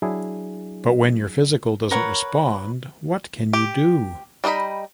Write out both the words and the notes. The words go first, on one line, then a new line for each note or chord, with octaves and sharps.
But when your physical doesn't respond, what can you do?
F#3 D4 E4 G#4
A#4 B4 C#5 F#5
G4
G3 D4 D#4 D#5 B5